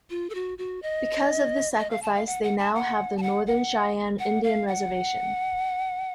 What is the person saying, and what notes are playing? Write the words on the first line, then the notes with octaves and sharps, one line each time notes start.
Because of this sacrifice, they now have the Northern Cheyenne Indian Reservation.
F4
A4
F#4
F#4
D#5
D#5
F5
A5
F5
F#5
F#5
A5
F#5
A5
F#5
F#5
F#5
F5
F#5